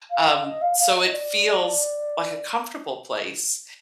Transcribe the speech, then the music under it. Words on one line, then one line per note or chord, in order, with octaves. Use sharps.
Um, so it feels like a comfortable place,
F5
D#5
F5
F5
D#5
D5